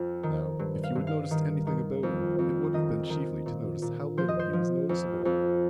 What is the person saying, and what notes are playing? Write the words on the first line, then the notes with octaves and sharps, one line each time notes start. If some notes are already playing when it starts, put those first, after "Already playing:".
Now if you had noticed anything about him, it would have been chiefly to notice how little he was noticeable.
Already playing: F2
D#3
G2
F5
G2
F5
D#3
D#3
F2
F2
D#3 D#5
D#3
A#2
A#2
F3 C5
D#5
C5
F3
F2
F2